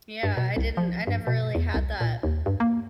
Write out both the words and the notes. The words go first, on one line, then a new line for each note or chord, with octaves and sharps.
yeah, I didn't I never really had that.
G2
B2
C2
F3
G2
B2
E2
C2
A#2
D#2
G2
A#3